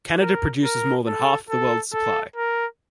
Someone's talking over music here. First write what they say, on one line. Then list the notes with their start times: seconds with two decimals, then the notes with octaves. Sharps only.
Canada produces more than half the world's supply.
0.21 A#4
0.64 A#4
1.07 A4
1.50 A4
1.93 A4
2.36 A#4